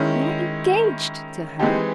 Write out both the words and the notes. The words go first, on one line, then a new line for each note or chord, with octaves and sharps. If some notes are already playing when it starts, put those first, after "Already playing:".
"You are engaged to her!"
Already playing: D#3 G#3 C#4 E4
E3 G#3 C4 D#4 G4